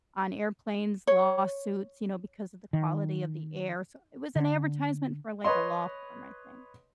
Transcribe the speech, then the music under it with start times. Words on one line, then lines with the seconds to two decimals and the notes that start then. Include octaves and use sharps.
on airplanes, lawsuits, you know, because of the quality of the air, so it was an advertisement for, like, a law firm, I think.
1.07 C#5
2.73 D#3
4.36 D3
5.44 B4 C#5 D#5 C6